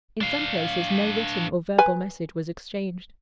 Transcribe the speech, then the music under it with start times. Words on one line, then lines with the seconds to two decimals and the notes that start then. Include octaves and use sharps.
In some places no written or verbal message was exchanged.
0.21 D4 F5
1.78 B4 G#5